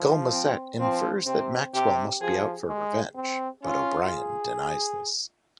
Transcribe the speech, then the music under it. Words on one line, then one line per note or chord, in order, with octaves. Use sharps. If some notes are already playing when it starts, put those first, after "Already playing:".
Gul Macet infers that Maxwell must be out for revenge, but O'Brien denies this.
Already playing: F3
C4
F3 C4
C3 C4
C3 G4
F3 G#4
G#3
C4
C#4 F4
G#4